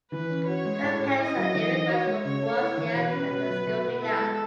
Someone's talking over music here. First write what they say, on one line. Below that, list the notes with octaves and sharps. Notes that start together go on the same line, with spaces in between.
Her parents are immigrants from Bosnia and Herzegovina.
E3 B4
C#4
F#4 C#5
G#3
A2
C#4
E4 D#5
F#3
E3
D#4
F#4 C#5
G#3
C#3 C#5
A3
E4
E3
B2 B4
C#4
B2
F#3
B2
B3
E4 A4
G#3